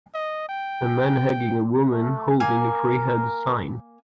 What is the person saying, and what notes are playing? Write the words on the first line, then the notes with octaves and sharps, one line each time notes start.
A man hugging a woman holding a free hugs sign.
D#5
G5
A3
A#3 A#4 G#5 F6